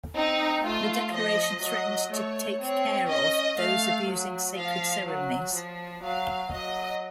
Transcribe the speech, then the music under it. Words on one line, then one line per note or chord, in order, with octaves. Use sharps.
The declaration threatened to "take care of" those abusing sacred ceremonies.
C4 D#4
A3 F4
F3 D#5
F#3 D#5
A3 C#5
C4 C#5
C#4 D#5
A3 F5
F#3
F3 F5
F#3
F3
F#3 F5
F#3 D#5